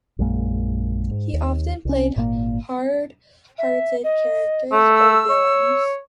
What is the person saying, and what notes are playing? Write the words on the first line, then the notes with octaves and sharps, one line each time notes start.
He often played hard-hearted characters or villains.
A#1 F#2 G#3 A#3
G#2
D#2
C2 C#4
G#1 A#2 D#3 A#3
E5
D#5
A3
E6
C#5